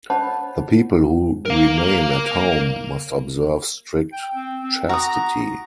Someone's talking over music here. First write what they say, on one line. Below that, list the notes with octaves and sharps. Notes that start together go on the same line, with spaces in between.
The people who remain at home must observe strict chastity.
C5 C#5 D#5 F#5 A5 B5
A#4 F5
G5
C4
C4
F#4 A#5 D#6